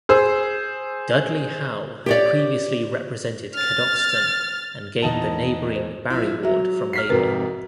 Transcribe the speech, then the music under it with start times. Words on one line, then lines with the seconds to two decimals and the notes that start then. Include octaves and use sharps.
Dudley Howe had previously represented Cadoxton and gained the neighbouring Barry ward from Labour.
0.09 G#4 C5 E6
2.06 G4 C#5 D5
3.55 F6 A6
5.02 E2 D#4 A5
5.76 C5
6.10 F3 E4
6.43 F#3 F#4 E5
6.93 F6 B6 C7
7.09 F2 G#2 C3 F#4 A#4 B4